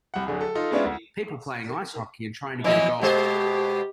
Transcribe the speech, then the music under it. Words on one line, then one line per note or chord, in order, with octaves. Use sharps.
People playing ice hockey and trying to get a goal.
C2 F#5
D1 D3 G#4
A4
D#4 F4 A4
G#3 B3 C#4 D4 E4 F4
D2
E3 F3 D#5
B2 G#3 G4 C5